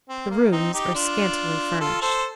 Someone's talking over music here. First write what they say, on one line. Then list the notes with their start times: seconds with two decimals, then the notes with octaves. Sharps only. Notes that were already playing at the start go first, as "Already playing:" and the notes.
The rooms are scantily furnished.
0.09 C4
0.30 A#3
0.52 C4 D#4
0.74 D#4 G4
0.95 D4 F4
1.81 F4 A4
2.02 A4 C5